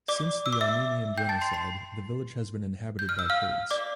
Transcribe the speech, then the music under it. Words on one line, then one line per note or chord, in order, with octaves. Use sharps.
Since the Armenian genocide the village has been inhabited by Kurds.
D5 D6
E6
D6
E5 E6
G5 G6
A5 A6
C6 C7
C6 C7
G6
F6
E6
F5 F6
D5 D6